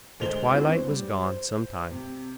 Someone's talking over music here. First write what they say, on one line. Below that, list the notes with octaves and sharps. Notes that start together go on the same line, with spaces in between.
The twilight was gone some time.
D2 G#3 C5 F7 G7
C4 D4 E4 F#4 G#4
B3 C5
G3
C5
C3